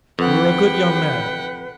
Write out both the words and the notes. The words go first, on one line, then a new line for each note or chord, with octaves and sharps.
You are a good young man.
F2 B4 F#5 G5